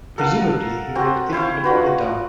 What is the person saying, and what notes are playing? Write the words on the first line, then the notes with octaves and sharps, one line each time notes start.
Presumably he meant Ichneumonidae.
A4 A#4 F5 F#5
C4 F#4
E4 C5 F5 C#6
F4 F#4 B4